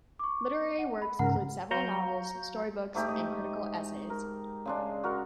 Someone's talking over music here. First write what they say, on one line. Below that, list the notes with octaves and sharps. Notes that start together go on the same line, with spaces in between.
Literary works include several novels, story books and critical essays.
C#6 D6
F#5
B5
G#2 C#3 A#4 F#5
F#3 F5 A#5 C#6 G6
G#2 A3 D#4 G4
D#5
A#4
C#3 G#3 D4
F#4 A#4